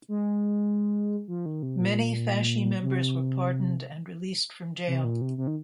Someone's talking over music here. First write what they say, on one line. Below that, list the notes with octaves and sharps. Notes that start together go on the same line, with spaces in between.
Many Fasci members were pardoned and released from jail.
G#3
F3
D#3
C3
A#2
C3
C3
A#2
C3
C3
D#3